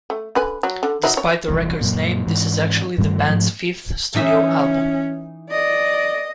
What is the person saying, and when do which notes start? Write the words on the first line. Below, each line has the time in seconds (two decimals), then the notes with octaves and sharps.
Despite the record's name, this is actually the band's fifth studio album.
0.10 A3
0.35 D3 B4 G#5
0.63 F#3
0.83 D3
1.03 F#3 D#4 E5
1.17 C#5
1.48 D#1 C2 B2 E3
1.81 F#2 A#2
2.27 G#2 E3
2.98 G2 D#3 G3 A3
3.27 G#2 F3 A3
4.15 E3 C#4 D#4 E5
5.51 D5 D#5